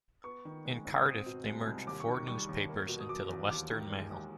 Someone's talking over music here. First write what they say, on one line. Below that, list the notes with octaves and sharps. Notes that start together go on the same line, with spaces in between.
In Cardiff they merged four newspapers into the "Western Mail".
B3 C#6
D#3
G#3
G#2
C4 D#6
B2
G#3
C2
D#2 D6
C#6
D#3
C#6
G3 C#6
D#2
A#3
B2
D#6
F#3 D6
E2
D#2 D6
D#3
G#3
D#2